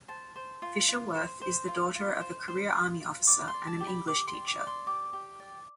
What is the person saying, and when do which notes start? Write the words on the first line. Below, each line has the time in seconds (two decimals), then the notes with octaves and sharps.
Fisher-Wirth is the daughter of a career Army officer and an English teacher.
0.08 C5 A5
0.36 C5
0.62 F4
0.88 F4
1.15 C5
1.41 C5
1.68 F4
1.95 F4
2.21 C5
2.48 C5 C6
2.75 F4
3.01 F4
3.27 D5 D6
3.48 C6
3.54 D5
3.67 A5
3.80 G4
3.87 B5
4.07 G4 D6
4.27 C6
4.34 D5
4.47 D6
4.60 D5
4.67 C6
4.86 G4 D6
5.13 G4
5.40 D5